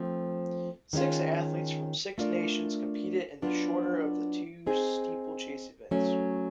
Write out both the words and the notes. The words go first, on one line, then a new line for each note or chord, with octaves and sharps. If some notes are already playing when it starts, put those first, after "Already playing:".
Six athletes from six nations competed in the shorter of the two steeplechase events.
Already playing: F3 A3 C4
D#3 G#3 C#4 F4
A3 D4 F4 A#4 D5
F#3 B3 D4 F4
C4 D#4 G#4
F#3 A3 C#4